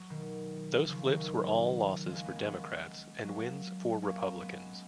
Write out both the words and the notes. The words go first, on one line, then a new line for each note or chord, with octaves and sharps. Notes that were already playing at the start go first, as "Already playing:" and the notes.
Those flips were all losses for Democrats and wins for Republicans.
Already playing: F#3
B2 D#3
C#3 F3
D#3 F#3
F3 G#3
F#3 A#3
G#3 B3
A#3 C#4
G#3 B3
F#3 A#3
A#3 C#4
G#3 B3